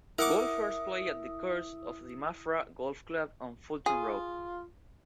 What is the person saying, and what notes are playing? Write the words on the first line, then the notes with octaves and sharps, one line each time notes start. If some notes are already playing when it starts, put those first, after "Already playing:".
Golfers play at the course of the Maffra Golf Club on Fulton Road.
E4 A#4 E5 F#5 D6 D#6
F4 G#4